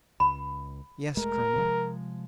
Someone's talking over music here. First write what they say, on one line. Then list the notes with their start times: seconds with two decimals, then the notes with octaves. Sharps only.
"Yes, colonel."
0.20 C#2 B5
1.17 E1 G#3 A3 A#4
1.56 C3 F3 G#3